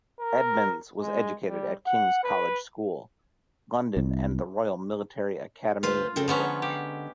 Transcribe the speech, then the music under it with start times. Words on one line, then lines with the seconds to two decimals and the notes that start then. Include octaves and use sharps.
Edmonds was educated at King's College School, London and the Royal Military Academy, Woolwich.
0.20 A#4
1.01 G#3
1.48 G3
1.87 F#5
2.24 B4
3.97 C2
5.83 D2 F4 B4 C5
6.16 C#3 C4 A4
6.28 D3 F3 G#3 B3 C#4 A#5
6.62 G4